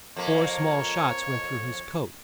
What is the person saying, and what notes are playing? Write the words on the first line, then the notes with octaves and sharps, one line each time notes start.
Four small shots went through his coat.
F2 A#3 C#5